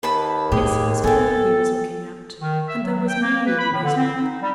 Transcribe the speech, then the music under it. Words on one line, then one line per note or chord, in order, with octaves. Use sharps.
Yes, it was her he was looking at, and there was meaning in his look.
D#2 B4 A5 B5
A2 G4 G#4
B3 A4 G5 G#5
D#3
E5
F#3
G5
A#3
B4
B5
A2
D3
C4
D#4
G3